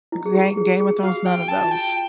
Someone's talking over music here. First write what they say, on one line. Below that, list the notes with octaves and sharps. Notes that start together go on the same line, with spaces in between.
Gain Game of Thrones, none of those.
E4
G#4
G4
G#4
G#4
F#4 F5
G5
A5
F4
G5